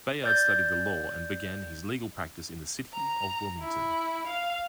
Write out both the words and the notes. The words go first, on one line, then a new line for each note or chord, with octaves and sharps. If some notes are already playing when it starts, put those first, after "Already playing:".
Bayard studied the law, and began his legal practice in the city of Wilmington.
D5 G6 A6
A#5
E4
F5